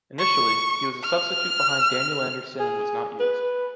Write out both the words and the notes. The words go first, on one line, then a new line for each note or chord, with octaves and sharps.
Initially, he was a substitute behind Daniel Andersson and was not used.
C#6
F6
G#4
B4